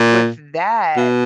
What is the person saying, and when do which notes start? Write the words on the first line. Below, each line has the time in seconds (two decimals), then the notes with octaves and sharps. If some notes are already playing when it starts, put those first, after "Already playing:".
with that,
Already playing: A#2
0.97 B2